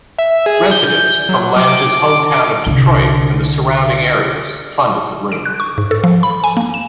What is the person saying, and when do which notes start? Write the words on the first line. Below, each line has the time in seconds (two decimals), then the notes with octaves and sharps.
Residents from Lange's hometown of Detroit and the surrounding areas funded the room.
0.18 E5
0.46 G#4
0.71 G6
1.29 F#3
1.57 D6
2.66 C2 D3
5.32 D7
5.45 F#6
5.60 C#6
5.78 G#2
5.91 A4
6.04 F3
6.23 B5
6.44 G#5
6.57 A#3
6.74 E7